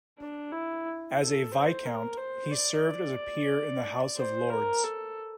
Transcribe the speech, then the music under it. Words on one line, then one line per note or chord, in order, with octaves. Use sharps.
As a Viscount, he served as a peer in the House of Lords.
D4
E4
A4
C5
A#4
C5
D5
C5
A#4
A4